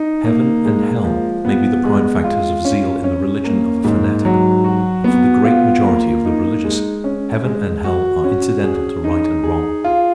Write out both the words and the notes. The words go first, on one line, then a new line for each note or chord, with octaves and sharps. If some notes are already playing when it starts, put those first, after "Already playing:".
Heaven and hell may be the prime factors of zeal in the religion of a fanatic; but for the great majority of the religious, heaven and hell are incidental to right and wrong.
Already playing: D#4
A#3
G#3
F3
B3
G#3
F4
C#4
C#4
A#3
G#2
F#3
F#4
B3
F4
A#3
D#4
G#3
C#4
G#3
F#4
C#4
G#4
D#4
G#4
F4